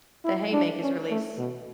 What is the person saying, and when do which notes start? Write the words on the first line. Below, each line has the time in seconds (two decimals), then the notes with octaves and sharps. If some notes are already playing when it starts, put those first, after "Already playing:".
The Haymakers release.
0.25 E4
0.53 D4
0.82 C#4
1.10 A3
1.38 B2